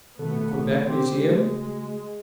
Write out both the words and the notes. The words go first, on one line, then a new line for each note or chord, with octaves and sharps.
"In the Quebec Museum?"
B2 D#3 A3 B3 A4
C4 G4
C#3 G#3 A3 F#4